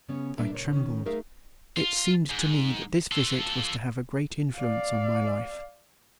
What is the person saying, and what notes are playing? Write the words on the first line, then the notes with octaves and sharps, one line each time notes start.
I trembled; it seemed to me that this visit was to have a great influence on my life.
C#3 B3 C#4
G3 A#3 D4 A4 B4 E5
A#2 C#3 C#5
D#3 C#4
A3 D#4 G#4 A#4 E5 F5
F4
G#2
F4 A4
D5 F5